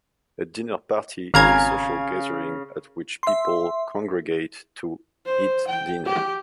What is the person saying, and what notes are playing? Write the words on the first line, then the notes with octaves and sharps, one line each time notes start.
A dinner party is a social gathering at which people congregate to eat dinner.
G#1 C#3 F5 A#5 G#6
E5 C6
C5
G5
G4